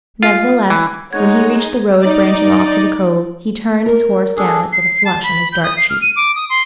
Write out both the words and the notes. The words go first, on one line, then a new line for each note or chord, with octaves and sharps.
Nevertheless, when he reached the road branching off to the Cove he turned his horse down it with a flush on his dark cheek.
F4
E3
G#3 D#4 C#5 F#5 G#6
D#4 D5
A#4
D4 G#4 A4
C7
A5
B5
G6
D#6
C7
F6
D#7
D6
D#6
C6